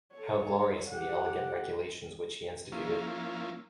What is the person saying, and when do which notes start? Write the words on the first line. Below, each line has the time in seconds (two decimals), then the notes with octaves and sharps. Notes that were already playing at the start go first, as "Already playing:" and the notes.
How glorious in the elegant regulations which he instituted!
0.13 A4 C#5
0.88 G4 F#5
2.72 F3 A#3 C#4 E4 F4